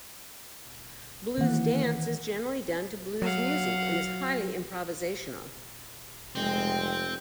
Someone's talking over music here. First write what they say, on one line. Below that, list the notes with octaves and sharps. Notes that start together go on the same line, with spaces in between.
Blues dance is generally done to blues music, and is highly improvisational.
D#3 E3 A#3 F#5
F#3 F5 F#5
F1 G#3 C4 G5